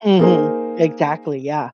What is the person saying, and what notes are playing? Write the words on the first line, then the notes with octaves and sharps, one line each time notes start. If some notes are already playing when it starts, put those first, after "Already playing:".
Mhm, exactly, yeah.
A#3 D#4 G#4 A#4 C5 G#5